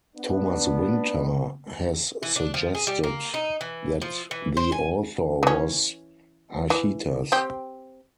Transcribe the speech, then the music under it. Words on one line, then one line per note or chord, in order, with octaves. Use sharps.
Thomas Winter has suggested that the author was Archytas.
B3 D4
E3
D4
F3
G#4
G3
A#3
D#4
E3
F3
E3
C5
G#5
E3 C#4
E3
C4 G4